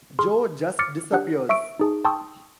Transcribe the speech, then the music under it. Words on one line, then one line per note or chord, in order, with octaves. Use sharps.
Joe just disappears.
G#4 C6 F6
D6 F6 A6 C#7
D4 G4 F#5 F#6
E5 C#6 E6 D7
D#4 G#4 A5
G5 A5 C6 C#6 D#6 E6